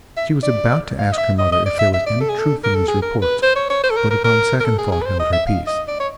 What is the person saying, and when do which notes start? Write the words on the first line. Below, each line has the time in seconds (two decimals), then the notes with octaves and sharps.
She was about to ask her mother if there was any truth in these reports, but upon second thought held her peace.
0.17 E5
0.43 D5
0.98 F5
1.12 D#5
1.18 E5
1.38 D#5
1.52 D#5
1.66 D5
1.79 E5
1.94 E5
2.06 D5
2.21 A4
2.29 G#4
2.39 A4
2.64 A#4
2.75 A4
2.88 G#4
3.02 A#4
3.22 B4
3.42 C5
3.55 C#5
3.70 C#5
3.84 C5
3.90 A4
3.96 A#4
4.10 A#4
4.24 A#4
4.60 A#4
4.65 A4
4.78 G#4
4.92 G#4
5.01 B4
5.06 C5
5.19 D#5
5.32 E5
5.46 F5
5.67 D#5
5.88 D5
6.00 C#5